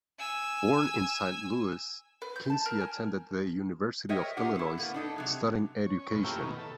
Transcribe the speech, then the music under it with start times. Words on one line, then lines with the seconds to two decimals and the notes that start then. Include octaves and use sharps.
Born in Saint Louis, Kinsey attended the University of Illinois, studying education.
0.19 G#5 E6
2.22 B4
2.36 G6
2.50 A5
2.66 A#4
2.81 G#5
4.09 A#4 C5 C#5 D#5 E5 G5
4.37 D4 G4 A#4 F#5
4.55 E4 A4
4.78 A2 A#3 B3
4.94 D4 D#4 A4
5.16 C3 F#3 G#3
5.86 C#5
5.99 C#4
6.12 F2 G#2 B2 C#5
6.24 A3 A#3 C#4 E4 F4 G4
6.43 B2 D#3
6.59 A4